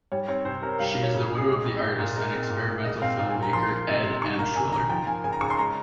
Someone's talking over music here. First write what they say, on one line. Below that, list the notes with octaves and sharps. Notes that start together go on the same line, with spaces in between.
She is the widow of the artist and experimental filmmaker Ed Emshwiller.
G3 C#5
C4 C#5
C3 C5
C3 A#4
G3 F5
F5
A#3
C#5
C#3
C#3
G#4
G#3
C4
A#2
A#2
G#3 A#4
C4
A#2
A#2
G#3 D#5
C4 F5
A#2 F5
G#5
A#2
A#5
F3 C6
A#3
C3
C3
D#3 C#6
A#3 A#5
C3 G#5
C3 A#5
F3 G5
A#3 G#5
C#3 G#5
A#5
C#3 C#6
C6
G#3 A#5